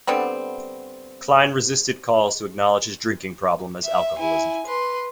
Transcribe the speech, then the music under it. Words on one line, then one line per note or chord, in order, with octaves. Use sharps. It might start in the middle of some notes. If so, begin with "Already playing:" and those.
Klein resisted calls to acknowledge his drinking problem as alcoholism.
D3 G3 B3 C4
E5
E4 G#5
B4 C6